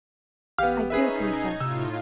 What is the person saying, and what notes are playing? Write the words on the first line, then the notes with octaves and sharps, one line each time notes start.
I do confess.
A1 B3 G4 F5
C#4 D#4 G#4 B4 E5
E1 D#4 G#6
A2 C3 F4 E6